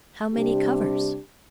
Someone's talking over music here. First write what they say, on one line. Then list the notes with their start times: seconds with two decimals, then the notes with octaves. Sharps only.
"How many covers?"
0.34 C3 G3 D4 G4